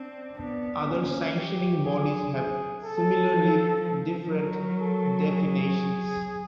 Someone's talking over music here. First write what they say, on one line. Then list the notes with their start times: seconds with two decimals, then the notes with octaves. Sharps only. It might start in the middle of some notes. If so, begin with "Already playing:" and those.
Other sanctioning bodies have similarly different definitions.
Already playing: C4 D4
0.38 B3 D4
0.87 A#3 C#4
1.36 F#3 G4
1.85 G#4
2.35 G#4
2.84 A4
3.33 F3
3.82 F3
4.31 F#3 A#4
4.80 A4
5.28 G#4